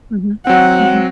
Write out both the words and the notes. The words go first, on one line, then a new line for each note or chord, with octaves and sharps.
Mhm, mhm.
F#3 C4 F#5